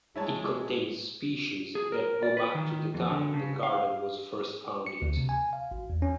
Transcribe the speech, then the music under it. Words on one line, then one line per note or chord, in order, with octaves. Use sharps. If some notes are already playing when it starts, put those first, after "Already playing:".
It contains species that go back to the time the Garden was first founded.
G#3 E4 C#5 A5
G#4
A#4
D5
B4
D#3
F2
D3
C#3
F5
C#7
D2
C3
G#5
F5
G#1
E2
C#4